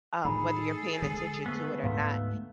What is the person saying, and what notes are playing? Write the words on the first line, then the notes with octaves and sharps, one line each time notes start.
um, whether you're paying attention to it or not.
A2 D#3 G#4 A4 G#5 A#5 B5
D3 G#3
A3 B3 C5
D2 G#2 F5